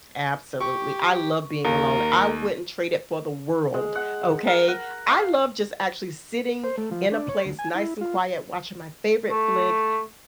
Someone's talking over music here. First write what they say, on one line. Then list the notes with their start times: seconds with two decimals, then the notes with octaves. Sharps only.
Absolutely. I love being alone. I wouldn't trade it for the world, okay? I love just actually sitting in a place nice and quiet, watching my favorite flick,
0.61 G4 C#6
1.65 D#2 A#4
3.74 G#3
3.95 F#5
4.47 A#4
4.68 F#5
5.11 F5
6.64 C5
6.77 A3
6.91 F3
7.11 D4
7.29 C#5
7.45 D2
7.59 G#5
7.75 E4
8.01 F4
9.29 A3